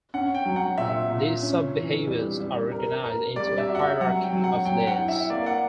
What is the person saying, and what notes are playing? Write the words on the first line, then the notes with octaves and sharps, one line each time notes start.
These sub-behaviors are organized into a hierarchy of layers.
C#4 F#5
G5
F#3
F#5
A#2 E5
A#2
C#4
E3
G3
G3
A#4
A#4
G3 D5
E5
F#4
F#5
E5
F#3 F#5
G5
F#3
F#5
F#3 G5
G5
F#5
E4
E5
A#3 D5
F#5